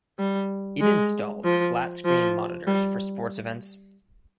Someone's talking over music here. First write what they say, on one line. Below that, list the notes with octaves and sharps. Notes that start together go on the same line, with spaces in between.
It installed flat screen monitors for sports events.
G3
G#3
F3
F3
G3